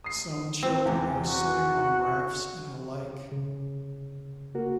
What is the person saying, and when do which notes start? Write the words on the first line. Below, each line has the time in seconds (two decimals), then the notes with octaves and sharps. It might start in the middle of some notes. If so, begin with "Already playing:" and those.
Some children are sitting on rafts in a lake.
0.04 D#6 C7
0.63 C4
0.86 E2 E3
1.24 F#4
3.32 C#3
4.55 A#3 F#4 A#4